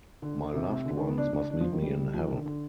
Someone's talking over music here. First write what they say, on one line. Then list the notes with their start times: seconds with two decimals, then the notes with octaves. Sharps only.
My loved ones must meet me in heaven.
0.22 D3
0.54 C3
0.70 C3
0.85 D3
0.97 D#3
1.08 B3
1.18 D4
1.33 D4
1.50 D4
1.60 F3
1.72 D#3
1.82 G3
1.98 G3
2.14 F3
2.24 D#3
2.35 D3
2.46 D3